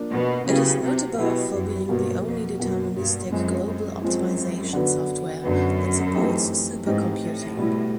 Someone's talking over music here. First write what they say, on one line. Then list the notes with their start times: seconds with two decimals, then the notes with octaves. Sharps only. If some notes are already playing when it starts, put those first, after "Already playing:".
It is notable for being the only deterministic global optimisation software that supports supercomputing.
Already playing: F3 A#3 D4
0.12 B2
0.47 C#3 F#3 B3 E4 G4
0.82 C3
1.17 B2 F#3 B3 E4 G4
1.53 F#2
1.89 G2 B2 F#3 A#3
2.24 F2
2.60 F#2 B2 F#3 A#3
2.96 G2
3.31 F#2 F3 G#3 C4
3.66 F#2
4.02 F3 G#3 C4
4.73 D3 F#3 B3
5.44 F#2 D3 F#3 B3
6.15 E3 A3 C4 D#4 G4
6.86 G#2 E3 A3 C4 D#4 G4
7.21 A2
7.57 B2 G3 B3 E4